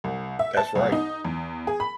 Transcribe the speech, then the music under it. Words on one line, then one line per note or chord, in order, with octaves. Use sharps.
That's right.
C2
E5
A5
C2
D#4
E2
G#4
B5